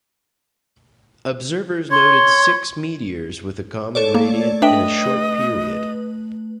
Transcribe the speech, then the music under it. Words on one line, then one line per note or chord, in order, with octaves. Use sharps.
Observers noted six meteors with a common radiant in a short period.
C#5 C6
A4 C#5 D5
A3 A#3
D4 B4 D#5 E5 G5